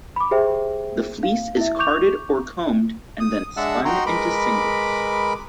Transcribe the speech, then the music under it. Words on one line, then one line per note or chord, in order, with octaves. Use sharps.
The fleece is carded or combed and then spun into singles.
B5 D6
G4 G#4 C5 E5 G5
F5
E4 E5
C#6 D6 G6 F7
D#6
G#3 D4 E5 F#5 A5 E6
D#4 F#4 G5 A#5 C6
G#3 A#4 B4 B5 D6